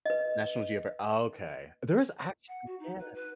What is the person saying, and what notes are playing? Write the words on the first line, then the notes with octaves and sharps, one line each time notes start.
National Geograf okay. There is actually yeah.
B4 D#5
F#5
F#4
D#4
B4
B4